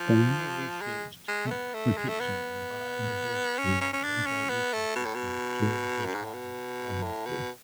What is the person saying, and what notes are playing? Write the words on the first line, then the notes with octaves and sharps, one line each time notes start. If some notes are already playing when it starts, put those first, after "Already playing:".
Garner researched crop protection and biodiversity in agroecosystems during her time at Rothamsted.
Already playing: F3
G#3
G#3
A3
B3
A3
G#3
A3
B3
C#4
C#4
C#4
D4
C#4
B3
A3
B2
A2
B2
F#2
G#2
A2
B2
A2
B2